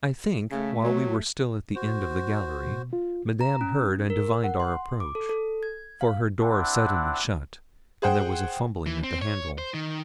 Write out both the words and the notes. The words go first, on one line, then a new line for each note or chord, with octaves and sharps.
I think, while we were still at the end of the gallery, Madame heard and divined our approach, for her door suddenly shut, and there was a fumbling at the handle.
C#3 A3
F#3
F#4 C5
B2
F4
A#5
C#4
A#4
F#5
C6
D6
A4
A4
G#6
F5
C4 D4 E4 F#5
G#4 C5 F#5 G5
E3
C4
C#5
C5
D#3